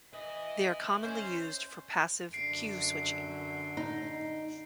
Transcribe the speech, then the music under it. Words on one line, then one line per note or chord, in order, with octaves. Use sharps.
They are commonly used for passive Q-switching.
B4 D#5 E5
C#4 C5
F#2 D3 C7 D7
D#4